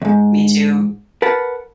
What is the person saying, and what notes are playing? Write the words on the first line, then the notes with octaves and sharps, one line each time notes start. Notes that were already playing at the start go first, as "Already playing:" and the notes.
Me too.
D#2 G#2
A#4 B4 F#5 A5